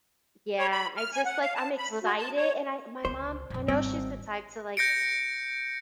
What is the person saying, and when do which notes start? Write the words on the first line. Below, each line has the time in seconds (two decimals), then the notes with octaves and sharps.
yeah, I just, like, I'm excited, and my mom, I know she's the type to, like,
0.58 C#5
0.72 B5
0.97 F6
1.13 G#5
1.25 F#5
1.41 F5
1.55 A5
1.78 B5
1.90 A3
2.04 F#4
2.18 A5
2.36 C#5
3.05 C#2 D3 C5
3.50 A#1 F2
3.68 G#1 G3 C4
4.77 G6 A#6 C#7 D7